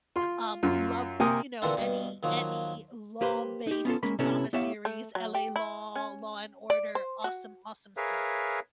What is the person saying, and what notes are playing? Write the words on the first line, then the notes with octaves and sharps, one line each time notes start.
um, love, you know, any any law-based drama series, LA Law, Law& Order, awesome, awesome stuff,
F4 C6
F#2 F4
C3 A#3 G5 G#5 D#6
A#2 D3 E3 C4 D4
G2 B2
D#2 F3 F#3
A#3 G4 B4 C5
D#4 G4
B3 C#4 F4 A4
G#3 A#3 C#4 A#4 B5
C3 B3 C#4 E4 A4
B3 E4 G4 C#5 E5 F5
A3
F#3
G4
E4
C#4
D5
C5
F#4
G#4 A#4 B4 C#5 E5 F5